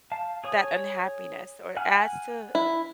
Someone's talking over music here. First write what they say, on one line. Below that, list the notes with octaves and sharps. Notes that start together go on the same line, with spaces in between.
that unhappiness or adds to,
F5 A5
G#4 C#5 D#6
F#5 G#5 F6
E4